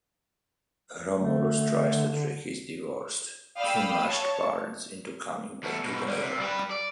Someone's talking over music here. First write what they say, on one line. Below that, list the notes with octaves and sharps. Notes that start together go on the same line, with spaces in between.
Romulus tries to trick his divorced, ill-matched parents into coming back together.
D3 A3
D5 F5 G5 B5 D#6 E6
C#5 A5
E2 A3
G#2 B2
G2 D3
C3
G3 B4
D5